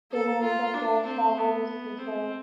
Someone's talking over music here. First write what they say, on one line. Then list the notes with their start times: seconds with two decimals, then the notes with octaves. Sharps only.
Today the church tower is preserved.
0.11 A4
0.43 F4
0.74 D4
1.06 C4
1.37 B3
1.98 C4